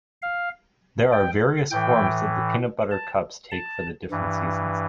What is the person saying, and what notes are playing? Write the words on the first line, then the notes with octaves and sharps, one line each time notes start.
There are various forms that the peanut butter cups take for the different seasons.
F5
G5
A2 E3 G5
A5
A5
G2 E3